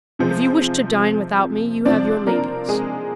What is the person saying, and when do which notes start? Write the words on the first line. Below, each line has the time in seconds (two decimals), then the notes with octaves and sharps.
If you wish to dine without me you have your ladies.
0.19 C3 F3 G#3 C4
1.85 C3 F3 C4 D4 D5
2.27 A#3 A#4
2.69 G#3 G#4